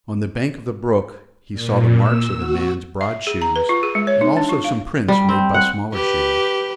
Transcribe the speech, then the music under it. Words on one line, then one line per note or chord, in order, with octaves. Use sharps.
On the bank of the brook he saw the marks of the man's broad shoes and also some prints made by smaller shoes.
A#2
E6
F#4
E5
G#4
A#5
B4
F4
G#4
G#3
C#5
D#4
D4
F4
F5
G3
C4
F#5
G4 B4